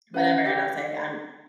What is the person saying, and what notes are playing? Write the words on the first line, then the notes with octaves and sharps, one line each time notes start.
whatever, and I'll say, "I'm,
C#4 B4 F#5 A#5
E4 G4 B4 D5